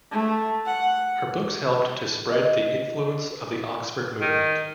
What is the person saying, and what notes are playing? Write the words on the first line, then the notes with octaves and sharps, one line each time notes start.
Her books helped to spread the influence of the Oxford Movement.
A3
F#5
D#5
D#3